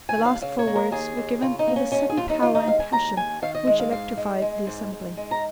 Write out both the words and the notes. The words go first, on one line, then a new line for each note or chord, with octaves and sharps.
The last four words were given with a sudden power and passion which electrified the assembly.
G#5
D#2
F5
C#3 F5
C#5
A#3
A#4
D#2 G#4
D#2
C#3 F4
D#4
A#3
C#4
D#2 C#4
G#4
D#2 F4
D#4
D#3 F4
D#4
G#3 F5
G#5
D#2 A#5
D#2 G#5
D#3 F5
D#5
G#3
F5
G#2 F5
G#3
G#3
G#2
G#2
G#3
A#5